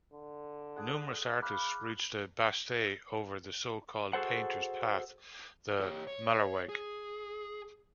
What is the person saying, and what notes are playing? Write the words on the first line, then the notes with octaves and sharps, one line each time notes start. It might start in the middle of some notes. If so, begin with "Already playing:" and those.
Numerous artists reached the Bastei over the so-called Painter's Path, the "Malerweg".
D3
D4 G#4 F#5
F5 B5 D6 F6 F#6
F#4 G#4 A4 C5 F#5
G4 C#5
C#5
G#4